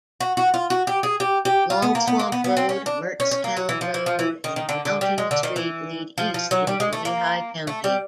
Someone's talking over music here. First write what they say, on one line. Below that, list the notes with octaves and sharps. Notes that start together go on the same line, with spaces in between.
Longswamp Road, Mertztown Road, and Mountain Street lead east into Lehigh County.
F#4
F#4
F4
F#4
G4
G#4
G4
G4
F4
B3
A#3
B3
A#3
B3
B3
C4
C#4
D4
C#4
C#4
A#3
F#3
E3
F3
E3
F3
E3
D#3
D#3
D3
D3
G3
G#3
D3
D#3
E3
F3
F3
F#3
G3
G#3
A3
A#3
A3
G3